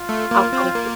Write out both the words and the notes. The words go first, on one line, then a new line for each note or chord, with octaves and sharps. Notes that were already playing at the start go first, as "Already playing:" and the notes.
I'll come to"
Already playing: F4
A3
A#3
C4
A#3